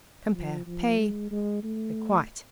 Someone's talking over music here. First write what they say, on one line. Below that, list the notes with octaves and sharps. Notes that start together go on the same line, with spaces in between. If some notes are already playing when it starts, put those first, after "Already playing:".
Compare PAY; REQUITE.
F3
F3
G#3
G#3
A3